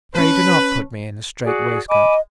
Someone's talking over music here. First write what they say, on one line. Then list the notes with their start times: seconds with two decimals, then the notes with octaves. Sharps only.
Pray do not put me in a strait-waistcoat.
0.14 C#4 B4 A5
1.43 F#4 G#4 D5
1.90 D#5 G#5 B5 D6